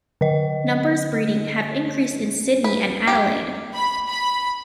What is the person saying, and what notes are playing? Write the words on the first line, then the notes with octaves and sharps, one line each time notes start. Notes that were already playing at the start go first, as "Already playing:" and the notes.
Numbers breeding have increased in Sydney and Adelaide.
D3 D#5
B4
G4
B5
B5